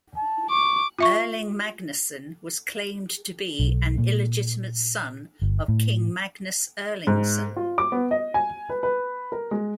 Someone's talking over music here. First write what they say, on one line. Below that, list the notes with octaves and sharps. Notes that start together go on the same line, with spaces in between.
Erling Magnusson was claimed to be an illegitimate son of King Magnus Erlingsson.
A5
C#6 D6
F4 E5 C#6
B1
A#2
G1
A2
G#2
F4
D6
B3
D#5
G#5
B4
B4
A#4
G#3